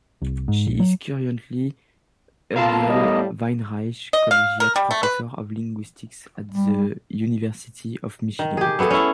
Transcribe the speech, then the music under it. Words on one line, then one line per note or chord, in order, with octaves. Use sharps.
She is currently Uriel Weinreich Collegiate Professor of Linguistics at the University of Michigan.
C2
G#2
A#1
F#3
B3 F4 A4 A#4 F5 A5
A2 G3 D#5
D#5
F5
A#4
G3
A3
B4
G3
D#3
G4 G#4
A3 B3 G#4 A4
C#4 E4